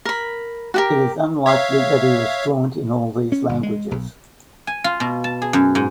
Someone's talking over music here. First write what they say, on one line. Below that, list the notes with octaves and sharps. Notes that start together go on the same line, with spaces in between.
It is unlikely that he was fluent in all these languages.
A#4 B5
F#4 G4 A#4
C#5 E5 F5
C#4
G1
G#3
B1
G#5
F4
B2
A5
G#4
F#2
G#2